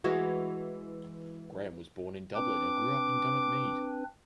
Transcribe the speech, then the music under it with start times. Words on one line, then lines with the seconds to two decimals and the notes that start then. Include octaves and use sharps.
Graham was born in Dublin and grew up in Donaghmede.
0.04 E3 G#3 F#4
2.35 C4 D4 B4 D6